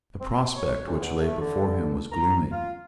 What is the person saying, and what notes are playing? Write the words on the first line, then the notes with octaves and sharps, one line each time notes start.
The prospect which lay before him was gloomy.
C4
C#5
D2
E2
A3
D3
A#5
F4